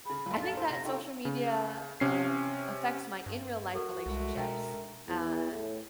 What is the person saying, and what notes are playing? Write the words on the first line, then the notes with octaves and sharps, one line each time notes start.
I think that social media, um, affects my in real life relationships, uh,
C#3 G#4 B5
A#1 F#2 F4
D4 A4 F5 A6
E4 C5
C3 A#6
D#4 F4 A4 G5 C#6
C#3
C3 C#4 C7
G2
F#4 A4 A#4
C2 G#3 A3
B2 D4 D#4 A#4 G5
E2
A2